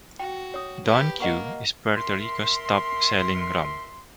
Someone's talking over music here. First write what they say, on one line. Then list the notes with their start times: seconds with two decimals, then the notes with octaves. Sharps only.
Don Q is Puerto Rico's top-selling rum.
0.19 F#4 G5
0.54 C#5 D#6
0.84 G4 B4
1.20 A#3 D#5 F#5 C#6
1.96 A#4 E5 C6